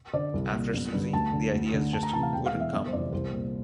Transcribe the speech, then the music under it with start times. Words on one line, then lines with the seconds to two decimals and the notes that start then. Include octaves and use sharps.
After Suzie, the ideas just wouldn't come.
0.13 D3 D5
0.34 C2
0.53 A#2
0.73 G1
0.93 G2 D3
1.13 D2 A5
1.33 D3
1.53 D2
1.73 D3
1.93 D2 A5
2.03 A#5
2.13 C3 E3 A5
2.23 F5
2.33 E1 G5
2.46 F5
2.53 E2 E3
2.60 E5
2.73 G1 E5
2.86 C5
2.93 F2 C3 E3 D5
3.12 C2 C5
3.32 A#2